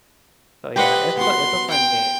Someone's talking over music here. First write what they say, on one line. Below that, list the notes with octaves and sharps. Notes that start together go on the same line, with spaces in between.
So, yeah, it's a it's a fun game.
G4 B4 C5 D#5 F#5
B3 F#4 C6
G5